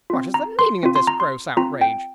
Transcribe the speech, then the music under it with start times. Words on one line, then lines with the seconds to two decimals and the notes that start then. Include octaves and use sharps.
'What is the meaning of this gross outrage?
0.10 C4 F4
0.34 A#5
0.59 C6
0.83 C4 F4
0.96 C6
1.07 A#5
1.20 C6
1.57 C4 F4 A#5
1.81 G5